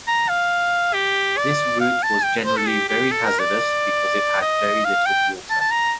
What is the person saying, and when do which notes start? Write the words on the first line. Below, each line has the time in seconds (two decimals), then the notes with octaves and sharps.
This route was generally very hazardous because it had very little water.
0.08 A#5
0.29 F5
0.94 G4
1.37 D5
1.80 F5
2.03 A5
2.24 G5
2.46 C5
2.57 A4
2.68 G4
2.89 G4
3.11 A4
3.25 A#4
3.39 D5
4.41 D#5
4.85 F5
5.06 G5
5.50 A5
5.60 A5
5.71 A#5